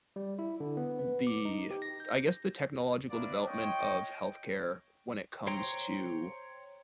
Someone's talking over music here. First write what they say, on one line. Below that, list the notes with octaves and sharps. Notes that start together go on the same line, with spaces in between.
the I guess, the technological development of health care when it comes to
G3
E4
D3
B3
B4
D6
D#4
G4
A#6
G6
A#3 B3 D4 E4 D5
F4 C#5 D#5 G5
C5 C#5 G5 A#5 C6